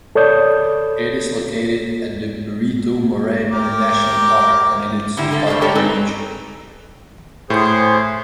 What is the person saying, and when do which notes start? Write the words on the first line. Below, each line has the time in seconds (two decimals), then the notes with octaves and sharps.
It is located at the Perito Moreno National Park, and it is hard to reach.
0.15 A4 C#5 D5 D#6 G6
3.52 G4 A#4 D6
5.17 D3 A#3 E4 G4
5.31 D3 G3 A4
5.47 G3 A3 D4 G4 A4 C5
5.61 G4 A4 A#4 C#5 D5 G5
5.75 C4 D#4 G#4 A4 B4
7.50 A2 G#4 C5